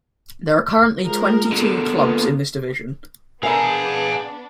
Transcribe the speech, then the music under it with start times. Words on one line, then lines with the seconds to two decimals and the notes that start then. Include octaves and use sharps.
There are currently twenty-two clubs in this division.
1.02 F3 G#3 A#4
1.52 B2 D3
1.96 A#3 B3 F4
3.43 B3 D4 G#4 A#4 E5 F5 A#5 B5